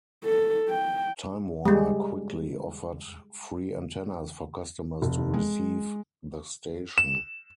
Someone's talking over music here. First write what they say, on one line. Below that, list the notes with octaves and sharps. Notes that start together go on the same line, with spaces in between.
Time Warner quickly offered free antennas for customers to receive the station.
A4
G5
G3 G#3
F1
G#3
E7